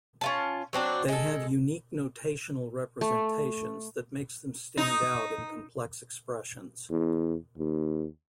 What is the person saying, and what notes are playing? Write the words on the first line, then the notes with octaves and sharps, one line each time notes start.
They have unique notational representations that makes them stand out in complex expressions.
C#4 F4 A5
F#3 C4 D4 F#4
G#3 A4
A3
D#4
E2
D#2